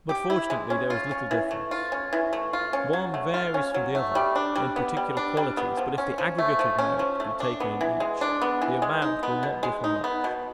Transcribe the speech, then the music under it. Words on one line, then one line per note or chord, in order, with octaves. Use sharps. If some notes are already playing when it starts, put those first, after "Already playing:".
But fortunately there is little difference: one varies from the other in particular qualities; but if the aggregate of merit be taken in each, the amount will not differ much.
G4
E4
G#3
C#4
F4
C#4
E3
A3
F4
C#4
E3
A3
F4
C#4
F#3
A3
F4
C#4
F#3
A3
G3
D4
G3
B3
G3
D4
G3
B3
F3
C#4
F3
A3
F3
C#4
F3
A3
D4
B3
E3
G#3
D4
B3
E3
G#3
D#4
B3
B2
G#3
D#4
B3
B2